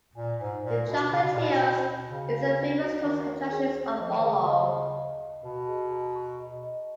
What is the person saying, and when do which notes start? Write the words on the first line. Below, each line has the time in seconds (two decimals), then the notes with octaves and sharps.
The Chocolate Hills is a famous tourist attraction of Bohol.
0.15 A#2 G#5
0.39 G#2 G#5
0.63 A#2 C#5
0.86 B2 F4
1.11 C#3 F#4
1.22 B2
1.33 A#2 B4
1.43 B2
1.59 F#4
1.83 F#4
2.07 C#3 F#4
2.31 F#4
2.55 B4
2.79 F#4
3.03 D#3 C#5
3.27 C#5
3.51 G#4
3.76 C#5
3.99 F3 D#5
4.16 D#3
4.24 G#4
4.32 C#3
4.47 D#5
4.71 D#5
4.95 F5
5.19 F5
5.43 B2 B4
5.68 G#4
5.92 A#5
6.15 C#6
6.40 D#5
6.63 D#5